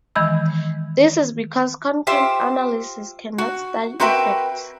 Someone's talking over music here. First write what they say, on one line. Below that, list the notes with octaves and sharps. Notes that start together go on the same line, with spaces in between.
This is because content analysis cannot study effects.
D#3 E3 G#3 D#5 B5 E6
F4 G4 C5 E5
F#4
C4 F#4 A#4 B4 E5 G5